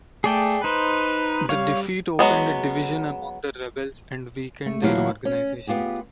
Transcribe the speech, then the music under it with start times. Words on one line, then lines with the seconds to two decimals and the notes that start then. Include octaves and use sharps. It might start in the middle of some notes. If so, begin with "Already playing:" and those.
The defeat opened a division among the rebels and weakened their organization.
0.24 A3 G#4 D5 G5
0.64 D#4 B4 C5
1.49 G3 C#5 F5
2.19 F#3 G#3 B3
4.66 A3
4.82 D2 A#2 E3 F#3 E4 F5
5.25 C#4
5.67 B3 F4 G4 G#4